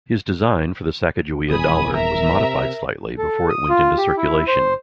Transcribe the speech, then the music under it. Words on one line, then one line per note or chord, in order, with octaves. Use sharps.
His design for the Sacagawea dollar was modified slightly before it went into circulation.
D#1 E2 G#5 B5 D#6
A#4 E5 A#5
C3
A4
D#6
F4
G4
E4
C5